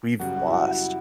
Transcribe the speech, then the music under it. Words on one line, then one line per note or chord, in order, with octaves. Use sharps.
we've lost.
F#2 C#3 G3 F#4
F#4
E4
F#4